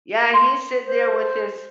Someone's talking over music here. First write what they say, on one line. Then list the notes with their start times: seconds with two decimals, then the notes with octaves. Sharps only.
yeah, he's sit there with his
0.34 C6
0.86 C5